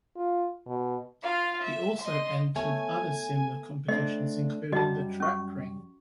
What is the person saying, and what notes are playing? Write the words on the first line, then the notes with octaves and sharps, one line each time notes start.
He also entered other similar competitions, including The Trackering.
F4
B2
F4 F5
E5
D#5 C6
A3 B3 A4 C#5 G#5
A3 C4 D4 D#5
F#2 G3 F#4 D#5 A5
C#4 C#6